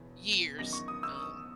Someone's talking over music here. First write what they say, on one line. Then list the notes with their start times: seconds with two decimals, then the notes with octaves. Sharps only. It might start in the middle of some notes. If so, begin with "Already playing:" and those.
years, um.
Already playing: E1 E2 E3
0.59 E2 D#3 F#3 C#4 A#6
0.73 C#6
0.88 D#6
1.03 E6